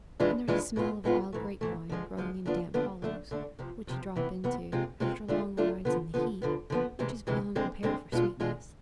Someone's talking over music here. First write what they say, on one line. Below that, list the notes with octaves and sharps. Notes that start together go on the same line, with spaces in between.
And there's a smell of wild grape-vine growing in damp hollows which you drop into, after long rides in the heat, which is beyond compare for sweetness.
F2 E3 G#3 D4 F4
F2 E3 G#3 D4 F4
A2 G#3 B3 F4
A2 G#3 B3 F4
G#2 E3 A3
G#2 E3 A3
D3 F3 G#3
D3 F3 G#3
D3 F3 B3 D4 F4
D3 F3 B3 D4 F4
D3 A3 D4
D3 A3 D4
F2 C3 F3
F2 C3 F3
C3 E3 B3
C3 E3 B3
C3 G#3 C4 F4
C3 G#3 C4 F4
D3 A3 D4 F4
D3 A3 D4 F4
D3 F3 B3
D3 F3 B3
D3 F3 B3
D3 F3 B3
D2 C3 E3 G#3
D2 C3 E3 G#3
D2 D3 G#3 C4
D2 D3 G#3 C4
B2 G#3 D4 F4
B2 G#3 D4 F4